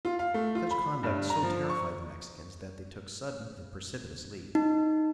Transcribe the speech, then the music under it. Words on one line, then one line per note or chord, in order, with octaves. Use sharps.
Such conduct so terrified the Mexicans that they took sudden and precipitous leave.
F4
F5
A3
F4
B5
G2
A#5
F3
C#6
D#4